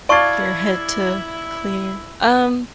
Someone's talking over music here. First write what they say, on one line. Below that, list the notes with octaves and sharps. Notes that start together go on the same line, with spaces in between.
your head to clear. Um
E4 D5 F5 A5 C#6 G#6 A6